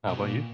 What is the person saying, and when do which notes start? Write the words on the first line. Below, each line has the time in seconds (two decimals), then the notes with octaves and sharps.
How 'bout you?
0.08 B2
0.20 A#2